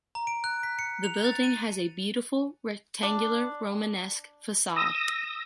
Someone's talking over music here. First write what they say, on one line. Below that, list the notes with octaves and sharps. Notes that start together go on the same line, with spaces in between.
The building has a beautiful rectangular Romanesque facade.
A#5
D7
F#6
B6
C#7
F7
A6
D#7
D4
D#6 E6 A#6